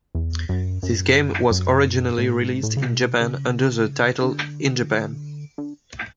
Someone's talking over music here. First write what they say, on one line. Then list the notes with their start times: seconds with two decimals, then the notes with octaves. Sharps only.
This game was originally released in Japan under the title in Japan.
0.15 E2
0.49 F#2
0.83 F#2
1.50 F#2
2.18 A2
2.41 G#2
2.63 A2
2.77 C#3
2.87 B2
3.21 C#3
4.23 D3
5.58 D3